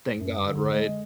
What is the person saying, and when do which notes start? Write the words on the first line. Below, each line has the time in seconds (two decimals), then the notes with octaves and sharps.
Thank god, right?
0.18 F#2
0.41 D3
0.72 G#3